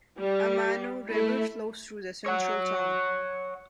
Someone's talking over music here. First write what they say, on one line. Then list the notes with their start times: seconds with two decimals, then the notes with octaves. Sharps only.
Amano River flows through the central town.
0.18 G3
1.09 A3 E4
2.26 C#5 F#5